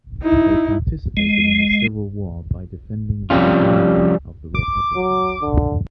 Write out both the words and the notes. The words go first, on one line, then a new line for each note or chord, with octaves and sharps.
They participated in the Civil War by defending the legality of the republicans.
D#4 E4
G#3
F2 C3 G3 C#4 F4
D6
F#3
D3